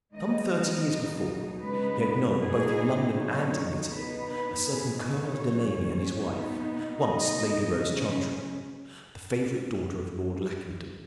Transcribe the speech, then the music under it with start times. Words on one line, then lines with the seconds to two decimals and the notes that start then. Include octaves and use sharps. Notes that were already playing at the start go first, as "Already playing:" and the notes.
Some thirty years before, he had known, both in London and in Italy, a certain Colonel Delaney and his wife, once Lady Rose Chantrey, the favorite daughter of Lord Lackington.
0.12 D#3 G#3 B3 D#4 D#5
0.51 D#5
0.88 B2 F#3 D#4
1.64 C#3 G#3 B3 D#4 B4
2.40 B2 B3 D#4 G#4
3.15 D#3 F#3 D#4 C#5
3.91 B2 B3 D#4 B4
4.29 B4
4.67 D#3 B3 D#4 G#4
5.05 C#5
5.43 F#3 C#4
6.19 B2 B3 D#4
6.94 B2 B3 D#4 D#5
7.70 C#3 F#3 C#4